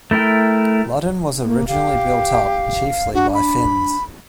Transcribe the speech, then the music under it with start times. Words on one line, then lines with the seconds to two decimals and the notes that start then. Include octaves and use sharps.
Ludden was originally built up chiefly by Finns.
0.11 A3 E4 A#4 G5
1.44 A#3
1.68 G4 F5
3.14 D4 F#4
3.34 B5